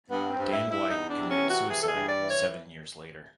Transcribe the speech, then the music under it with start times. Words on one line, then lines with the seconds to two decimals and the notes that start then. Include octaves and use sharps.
Dan White committed suicide seven years later.
0.11 G2 B3
0.31 C4
0.37 G2
0.51 E4
0.64 G2
0.70 E4
0.90 E2 D#4
1.10 D4
1.17 C3
1.30 C#4
1.42 E3
1.50 F#4
1.69 E3 G#4
1.82 A4
1.89 G#4
1.95 G2
2.08 D5
2.21 E3
2.29 C#5